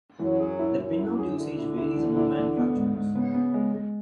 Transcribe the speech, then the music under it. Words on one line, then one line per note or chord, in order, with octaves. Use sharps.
The pinout usage varies among manufacturers.
F#2 E3 F#3
G#4
E4
F#2 F#3 E4
E4
G#4
D2 D3 E4
E4
E4
E3
E4
E3
B3
G#2
G#2
C#3 B3
B3
G#3
G#3